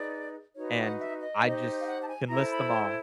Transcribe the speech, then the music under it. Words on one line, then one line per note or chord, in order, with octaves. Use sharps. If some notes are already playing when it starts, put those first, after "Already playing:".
and I just can list them all.
Already playing: D#4 G#4 B4 D5
D#4 F#4 B4 C#5
F#5
E5
D#5
D#4 G4 C5
F5
F#5
A5
G#5
E4 A4 C5 A#5
B5
C6